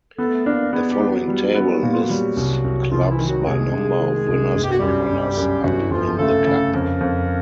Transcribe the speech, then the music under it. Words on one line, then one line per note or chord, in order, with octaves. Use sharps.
The following table lists clubs by number of winners and runners-up in the Cup.
A3 B3 A4
A#3 D4 A#4
G#3 B3 G#4
G3 G4
B3
F#3 F#4
G3
B3
A#2 F#4
F4
F#3 F#4
G3
C2
C2
C2 F3 F4
E3 E4
D#3
F#3 F#4
C2 G#3 G#4
C2
D#3
C2
G1 G#4
G4
F#4
F#2 G3 G4
G1
F#2
G1 F#3 F#4
E4
G1 F3 F4
C#3 A3 A4
C#3
F2 A#3 A#4
F2